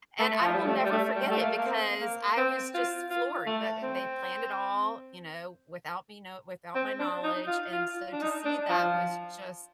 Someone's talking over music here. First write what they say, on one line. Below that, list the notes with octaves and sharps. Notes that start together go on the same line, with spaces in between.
and I will never forget it because I was just floored, but, eh, they planned it all, you know, without me know without my knowledge, and so to see that was just
A3
F3
G3
A3
G3
A3
G3
A3
A#3
A#3
C4
A#3
C4
F4
F4
A3
C4
C4
D4
D#4
F4
F4
D4
D#4
D4
F3